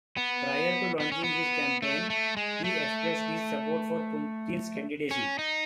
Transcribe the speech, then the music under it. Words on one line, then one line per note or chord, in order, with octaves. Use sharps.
Prior to launching his campaign, he expressed his support for Putin's candidacy.
B3
B3
C#4
B3
A3
A3
G#3
A3
C#4
D#4